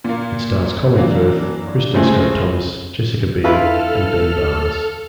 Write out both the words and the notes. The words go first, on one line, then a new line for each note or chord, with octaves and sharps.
It stars Colin Firth, Kristin Scott Thomas, Jessica Biel and Ben Barnes.
A#2 A#3
E3 F#3 A#3 D4
C#3 F3 G#3 A3 C4 G#4
E4 F4 A4 B4 F6